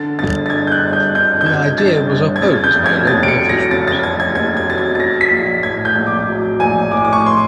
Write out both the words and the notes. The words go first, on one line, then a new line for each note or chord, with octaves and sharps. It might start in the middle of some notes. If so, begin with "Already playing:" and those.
The idea was opposed by local officials.
Already playing: D3 A6
G1 A6
A6
G2 G#6
G6
F#6
G1
G6
D3 G6
G6
G1 G#6
G2 A6
G1
G#6
C#3 A6
G6
F1
G#6
D#2 A6
D7
C#7
F#3
A#6
C#3 A6
A6
F1 G#6
G#6
D#2 G#6
G#6
F#3 A6
G#6
A6
F#3 A#6
B6
A#1
A2 G#6
G6
A#1
D6
F#3
A#1 G#5
A2 D6
D6
C#6
C6